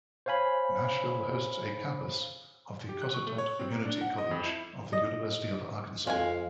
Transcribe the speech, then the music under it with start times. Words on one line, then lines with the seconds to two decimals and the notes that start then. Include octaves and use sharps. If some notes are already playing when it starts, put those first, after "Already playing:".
Nashville hosts a campus of the Cossatot Community College of the University of Arkansas.
0.26 C5 C#5 F5 G#5 B5
2.89 G4
3.02 F#6
3.14 C#6
3.27 A3
3.38 C#5
3.59 C4
3.71 A#3
3.85 D4
4.01 F#5
4.18 D#5
4.31 F2
4.44 E4
4.93 D#5
6.07 F2 G#3 F5 G#5